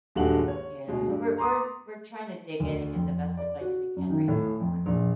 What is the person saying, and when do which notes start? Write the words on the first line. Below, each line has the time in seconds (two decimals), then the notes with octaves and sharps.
yeah, so, we're we're we're trying to dig in and get the best advice we can right now, and
0.15 D#1 G2 G#3 F#4 A4 F#7
0.48 C#5
0.87 D2 B2 G#3
1.08 G2
1.38 A#5 C6 D6 D#6
2.60 D2
2.94 F2
3.37 D5
3.61 F#4
3.96 F#2
4.10 D#3
4.28 A2
4.60 F2
4.86 A#1